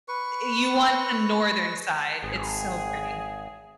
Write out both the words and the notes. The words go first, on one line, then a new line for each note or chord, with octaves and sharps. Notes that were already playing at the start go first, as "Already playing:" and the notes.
Eh, you want the northern side- it's so pretty.
B4 C#6
G#1 G#4